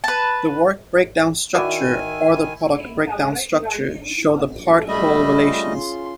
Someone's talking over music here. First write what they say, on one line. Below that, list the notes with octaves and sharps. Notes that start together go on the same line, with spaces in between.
The work breakdown structure or the product breakdown structure show the "part-whole" relations.
B4 A5
D#3 E4 F#4 D5 E5 G#5
A#1 F#2
G3 A3 D#5 B5 E6
C#4 F4 G#4
C6